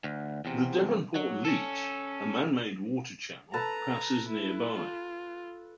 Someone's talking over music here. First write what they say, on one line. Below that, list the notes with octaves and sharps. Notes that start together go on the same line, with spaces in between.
The Devonport Leat - a man-made waterchannel - passes nearby.
D2
E2 C3
F#3
C#4 A4
A4 B4 A5 A#5
E4
F4